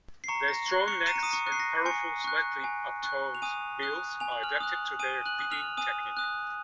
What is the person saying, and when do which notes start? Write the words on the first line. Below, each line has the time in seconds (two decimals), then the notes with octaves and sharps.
Their strong necks and powerful, slightly upturned bills are adapted to their feeding technique.
0.24 C7
0.28 A#5 C#6 C#7
0.48 A#6
0.68 C#6 F#6
0.88 C#6 C#7
1.07 A#5 D#7
1.16 C#7
1.23 D#6 D#7
1.33 C#6 C#7
1.46 C#6 F#6
1.52 C7
1.60 A#6
1.85 G#5 C#6 C#7
2.24 C#6 F#6
2.64 G#5
3.03 C#6 F#6
3.35 F7
3.42 G#5 D#6 D#7
3.82 D#6 F#6
4.20 G#5 F7
4.32 F#7
4.43 F6 F7
4.60 D#6 F#6
4.99 G#5 D#6 D#7
5.26 F#6 F#7
5.39 D#6 F#6
5.51 F6 F7
5.77 G#5 D#6 D#7
6.17 D#6 F#6